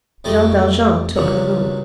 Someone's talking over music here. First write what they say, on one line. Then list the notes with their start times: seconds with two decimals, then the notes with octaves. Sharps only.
Jean Valjean took the rope.
0.24 F2 G3 A3 A4 D#5
1.16 C#2 G2 A#2 F#3